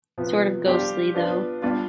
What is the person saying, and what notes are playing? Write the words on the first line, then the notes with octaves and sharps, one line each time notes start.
Sort of ghostly, though.
C3 F3 B3
G3 D4 G4 C5 F5
B3 D4 F4
G3 D4 F4